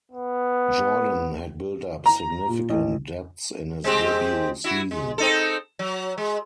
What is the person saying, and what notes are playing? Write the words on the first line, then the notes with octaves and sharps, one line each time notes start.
Jordan had built up significant debts in his debut season.
B3
A#5
A#2
A1
G#3 C4 G4
E4 F#4
G#3
C4 D#4 A4
F#3
G#3